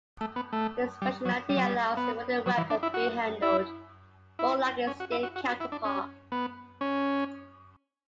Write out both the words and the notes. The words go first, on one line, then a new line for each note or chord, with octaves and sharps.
This functionality allows the wooden weapon to be handled more like its steel counterpart.
A3
B3
A3
G3
F#3
G3
F#3
G3
B3
F#3
E3
D4
E4
F#4
E4
E4
C#4
F#4
E4
F#4
F#4
F#4
E4
D4
C#4
B3
C#4